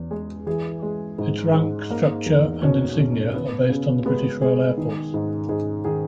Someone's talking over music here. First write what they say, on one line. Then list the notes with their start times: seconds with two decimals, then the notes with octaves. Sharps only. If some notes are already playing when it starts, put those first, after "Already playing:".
Its rank structure and insignia are based on the British Royal Air Force.
Already playing: E2
0.11 G#3 G#4
0.46 E3 G#4
0.82 G#3
1.18 G#2
1.54 G#2
1.90 A#3 A#4
2.26 E2
2.62 B2 C#4 C#5
2.98 B2
3.34 B3
3.69 C#3
4.05 G#3 B3 B4
4.41 G#3 G#4
4.77 D#3
5.14 G#2
5.49 G#2 G#4
5.85 D#3 G#4